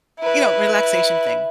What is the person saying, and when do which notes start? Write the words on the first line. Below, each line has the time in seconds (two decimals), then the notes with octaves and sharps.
you know, relaxation thing.
0.20 E4 B4